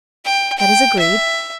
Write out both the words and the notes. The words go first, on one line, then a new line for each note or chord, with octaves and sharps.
"That is agreed."
G5
G5
E5